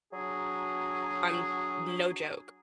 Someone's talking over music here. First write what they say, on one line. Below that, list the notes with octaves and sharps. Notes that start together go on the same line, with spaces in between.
I'm no joke.
F#3 D4 G#4 A#5